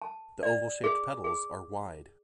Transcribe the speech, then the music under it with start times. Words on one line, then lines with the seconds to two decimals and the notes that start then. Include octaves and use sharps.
The oval-shaped petals are wide.
0.02 A5
0.43 D5
0.84 G#4
1.24 G#4